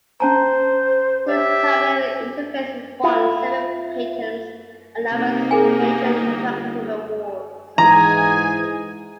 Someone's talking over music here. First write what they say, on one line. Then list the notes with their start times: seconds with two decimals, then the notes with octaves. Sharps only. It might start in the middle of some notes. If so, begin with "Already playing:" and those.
These pioneering interfaces won several patents and numerous major interactive awards.
0.20 C#4 C5 A5 A#5
1.28 G4 C#5 E5
3.04 E4 F4
5.11 C3 A#3 D#4 G4
5.51 G#4 A#4 G#5
6.19 G1
7.78 G#2 E3 G#4 G#5 A#5